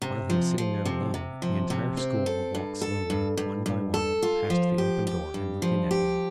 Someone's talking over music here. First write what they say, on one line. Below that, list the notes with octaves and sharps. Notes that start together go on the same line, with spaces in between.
While he is sitting there alone, the entire school will walk slowly, one by one, past the open door and look in at him.
C3
F3
F3
C3
C3
F3
C3
C4
A4
G2
A4
G2
G2
G2
A4
F4
F3
G4
G4
G2
F3
G4